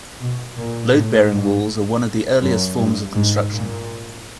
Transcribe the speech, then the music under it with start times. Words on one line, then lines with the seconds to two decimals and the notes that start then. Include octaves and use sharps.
Load-bearing walls are one of the earliest forms of construction.
0.21 B2
0.57 A#2
0.94 A2
1.32 G#2
2.42 F#2
2.78 G2
3.14 G#2
3.52 A#2